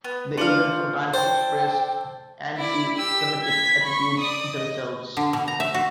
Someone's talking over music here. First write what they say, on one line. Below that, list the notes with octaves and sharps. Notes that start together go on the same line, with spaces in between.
They even sometimes expressed anti-Semitic attitudes themselves.
B3 B4
D4 F4 C5 F5 C#7 F#7
A4 C5 G5
E4 D5
G4 E6
G#6 B6
B5 C#6
D5 D#6
D#5
D3
B2
A#5
E5
F#4